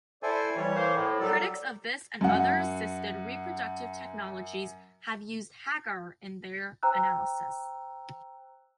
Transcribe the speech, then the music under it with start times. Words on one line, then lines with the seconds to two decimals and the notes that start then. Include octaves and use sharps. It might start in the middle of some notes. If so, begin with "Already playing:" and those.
Critics of this and other assisted reproductive technologies have used Hagar in their analysis.
0.23 E4 A4 C5 D5 G#5
0.56 E3 G3 C#5
0.74 A#3 C5
0.93 A2
1.20 C2 F#3 G3 A4 D5
2.21 F#2 F#5
6.83 C5 G5 A#5 E6 F#6